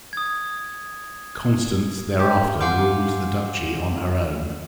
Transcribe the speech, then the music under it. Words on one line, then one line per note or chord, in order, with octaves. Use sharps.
Constance thereafter ruled the Duchy on her own.
D#6 G#6
G4
F5 F#5 G#5 C6 D6 G6